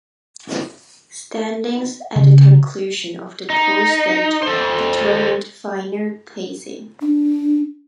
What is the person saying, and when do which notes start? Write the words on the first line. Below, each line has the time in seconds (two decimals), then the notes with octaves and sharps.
Standings at the conclusion of the pool stage determined final placings.
2.16 C#3
3.50 D#4
4.43 A4 C5
7.01 D4